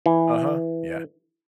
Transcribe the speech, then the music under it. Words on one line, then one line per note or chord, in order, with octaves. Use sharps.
Uh-huh. Yeah.
E3